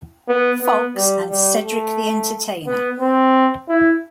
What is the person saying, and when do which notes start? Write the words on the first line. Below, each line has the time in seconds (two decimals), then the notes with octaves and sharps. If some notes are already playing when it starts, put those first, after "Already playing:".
Fox and Cedric the Entertainer.
0.28 B3
0.62 B3
0.96 G3
1.30 G3
1.64 A3
2.67 B3
3.00 C4
3.69 E4